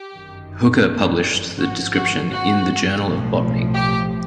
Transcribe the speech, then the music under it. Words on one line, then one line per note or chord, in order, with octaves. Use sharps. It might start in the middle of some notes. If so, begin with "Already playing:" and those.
Hooker published the description in "The Journal of Botany".
Already playing: G4
G1 F#2 D#3
G#1 G#2 F3 F#4
F#4
F#4
B1 A2 F3
G4